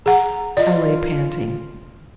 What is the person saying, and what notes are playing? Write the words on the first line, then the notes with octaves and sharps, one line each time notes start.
I lay panting.
G#4 F#5 A#5
F4 D5 D#5